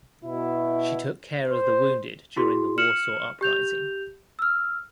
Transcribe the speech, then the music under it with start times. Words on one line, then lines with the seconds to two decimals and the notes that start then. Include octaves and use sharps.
She took care of the wounded during the Warsaw Uprising.
0.25 B2 E4
1.51 C5
2.36 E4 F#4 G#4 C6
2.78 F6 C#7 E7 F#7
3.41 G4 G6 F7
4.39 E6 F6